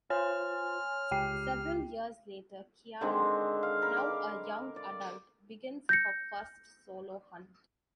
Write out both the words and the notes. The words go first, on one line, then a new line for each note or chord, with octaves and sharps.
Several years later, Kiara, now a young adult, begins her first solo hunt.
F4 C5 C#5 G#5 C6 F6
C#2 G4 G5 C7
D3 D#3 G#3 C4
F5
A#4 B5
D6
D5
G6 A#6 C#7